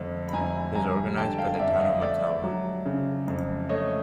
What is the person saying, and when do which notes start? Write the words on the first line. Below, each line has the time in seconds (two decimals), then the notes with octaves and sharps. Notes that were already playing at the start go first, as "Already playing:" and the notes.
It is organized by the Town of Mattawa.
Already playing: F2 D3
0.28 B5
0.33 F2 G#5 A#5
0.75 G3 G#5 A#5
1.17 D3 G5 A5
1.38 F5 G5
1.59 F2 D5 E5
1.76 F#5
1.80 D#5 F5
2.01 A3 D5 E5
2.44 F#3
2.85 C#3
3.28 F2
3.69 A3 C#5 D#5